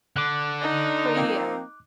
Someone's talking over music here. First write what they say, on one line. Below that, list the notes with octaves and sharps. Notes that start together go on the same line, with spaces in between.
For you.
D3 D6 F#6
D#4
F3 A#3 C4